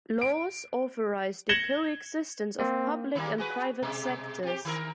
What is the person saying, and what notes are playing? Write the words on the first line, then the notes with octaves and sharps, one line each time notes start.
Laws authorize the coexistence of public and private sectors.
D7
G#6 A#6 C#7 E7 F#7 G7
A#3 C4
D#3 G3 A#3
F#4 G#4 B4
B2 G#3
C4 G4
D#3 A#4